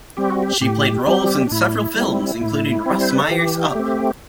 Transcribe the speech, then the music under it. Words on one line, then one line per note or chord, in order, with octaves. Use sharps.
She played roles in several films, including Russ Meyer's Up!
G3 C4 G4
F#4
G4
A2 G4
G3 C4 G4
D4
A2 E4
G3 C4
A2
G3 C4
C5
B4
A4
E3 G4
A3 C4